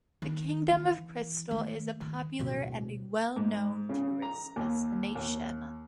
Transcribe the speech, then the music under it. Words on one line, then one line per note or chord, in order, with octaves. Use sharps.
The Kingdom of Crystal is a popular and a well known tourist destination.
D#3
E3
D#3 A3
D#3
D1 B2
G#2
C#3
A#5
D#2
D#2